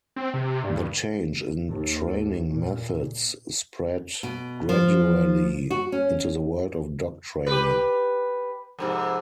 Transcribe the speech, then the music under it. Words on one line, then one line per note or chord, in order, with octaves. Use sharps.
The change in training methods spread gradually into the world of dog training.
C4
C3
G2
D#2
A#2
B2
F3
F#4
C#4
G4 B4
F2 G#2 C3